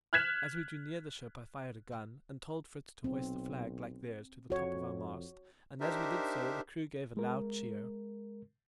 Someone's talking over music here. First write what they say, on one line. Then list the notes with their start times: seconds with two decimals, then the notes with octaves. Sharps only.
As we drew near the ship I fired a gun, and told Fritz to hoist a flag like theirs to the top of our mast, and as we did so the crew gave a loud cheer.
0.13 F6 F#6 G#6 B6 E7
3.04 B1 C4
4.50 F2 F#4 C#5
5.80 D4 D#4 G4 A#4 C5 E5
7.17 G#3 A#4